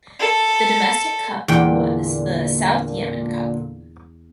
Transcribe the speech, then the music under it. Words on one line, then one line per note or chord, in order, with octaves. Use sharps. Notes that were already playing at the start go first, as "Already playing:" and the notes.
The domestic cup was the South Yemen Cup.
A4
E2 A#2 D3 G5